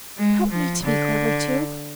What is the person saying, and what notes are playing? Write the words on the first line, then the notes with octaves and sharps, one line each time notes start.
Help me to be clever too.'
G#3
F3
D3